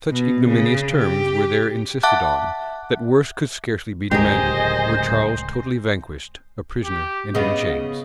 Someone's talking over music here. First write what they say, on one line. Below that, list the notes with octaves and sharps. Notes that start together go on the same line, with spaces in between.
Such ignominious terms were there insisted on, that worse could scarcely be demanded, were Charles totally vanquished, a prisoner, and in chains.
B2
C#3
G4
E5 F#5 A5 D6 F#6
D1 C#2 G#3 G4 A#4 C5 D#5 G#5
G4
C#3 B3 D#5